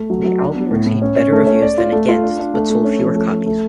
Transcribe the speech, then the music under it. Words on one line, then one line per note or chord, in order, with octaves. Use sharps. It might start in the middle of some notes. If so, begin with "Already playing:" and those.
The album received better reviews than "Against", but sold fewer copies.
Already playing: A3
F#3
F#3
D4
B3
A2
A2
C#4
C#4
A3
C#4
D5
F4
A3
F4
D4
D4
A3
A3
C#4
F3
A3
A3
A3